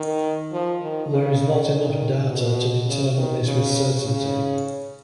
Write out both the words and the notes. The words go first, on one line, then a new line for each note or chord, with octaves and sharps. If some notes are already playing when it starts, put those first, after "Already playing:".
There is not enough data to determine this with certainty.
Already playing: D#3
F3
D#3
C#3
D#3
B2
C#3
D#3
C#3
C#3